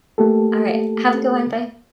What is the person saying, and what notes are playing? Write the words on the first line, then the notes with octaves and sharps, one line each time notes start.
Alright, have a good one, bye.
A3 A#3 G4 A4